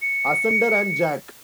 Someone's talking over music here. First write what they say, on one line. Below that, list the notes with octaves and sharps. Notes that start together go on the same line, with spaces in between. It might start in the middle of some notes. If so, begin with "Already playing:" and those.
Asunder and Jack!
C#7